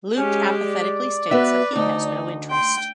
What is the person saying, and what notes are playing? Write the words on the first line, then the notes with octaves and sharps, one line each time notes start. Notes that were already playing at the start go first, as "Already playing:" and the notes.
Luke apathetically states that he has no interest.
G#3 C#4 G4
D5
B3 F#4 B4 E5
D2 D#4
G5 C6